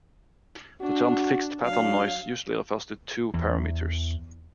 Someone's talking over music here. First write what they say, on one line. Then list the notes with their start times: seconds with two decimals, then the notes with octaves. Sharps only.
The term "fixed pattern noise" usually refers to two parameters.
0.81 D4 F#4
1.60 F#3 D4 F5
3.34 E2 E3